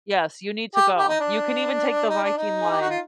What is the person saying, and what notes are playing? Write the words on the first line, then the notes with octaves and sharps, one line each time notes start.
Yes, you need to go. You can even take the Viking Line
G4
G4
D#4
D4
D#4
D4
D#4
G#4
G4
F#4
F4